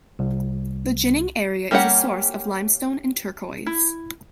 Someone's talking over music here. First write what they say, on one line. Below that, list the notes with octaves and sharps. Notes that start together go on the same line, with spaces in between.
The Jining area is a source of limestone and turquoise.
C2
G3 A#3 C#4 G4 F#5
E4